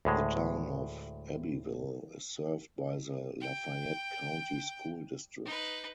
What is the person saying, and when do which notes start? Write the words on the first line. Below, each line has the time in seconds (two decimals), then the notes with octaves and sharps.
The Town of Abbeville is served by the Lafayette County School District.
0.05 D2 A2 G#3
3.41 G5
5.46 D#4 B4